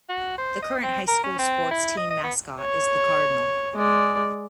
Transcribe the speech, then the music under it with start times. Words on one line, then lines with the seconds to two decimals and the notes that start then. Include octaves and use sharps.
The current high school sports team mascot is the cardinal.
0.09 F#4
0.38 C5
0.62 D#5
0.83 C4
1.08 A#4
1.24 C#4
1.39 C4
1.71 E4
1.97 D#5
2.10 D#5
2.23 B3
2.61 C#5
3.74 G#3 D5